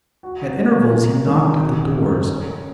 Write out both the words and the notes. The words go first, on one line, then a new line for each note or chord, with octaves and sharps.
At intervals he knocked at the doors.
F#4
C#3
A#4
D#3
F#4
C#3
C#4